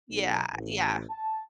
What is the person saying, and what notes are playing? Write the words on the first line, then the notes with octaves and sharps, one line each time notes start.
Yeah, yeah.
B1
A1
A5